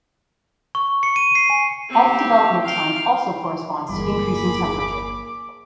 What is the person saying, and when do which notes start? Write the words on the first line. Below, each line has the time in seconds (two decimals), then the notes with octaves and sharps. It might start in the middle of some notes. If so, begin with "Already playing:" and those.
Egg development time also corresponds to increasing temperature.
0.75 C#6
1.03 C#7
1.16 D#7
1.35 C7
1.50 G#5
1.89 C4 G4
2.64 F5 G5
3.89 G1 E2 A#3 G#4 B5 D6